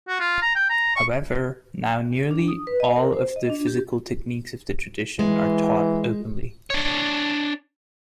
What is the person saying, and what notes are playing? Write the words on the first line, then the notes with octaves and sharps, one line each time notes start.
However, now nearly all of the physical techniques of the tradition are taught openly.
F#4
F4
A#5
G5
A#5
C#6
D4
D#6
B4
D#5
A#4
C5
D#5
D4
G4
E3 G#3
D4 C#5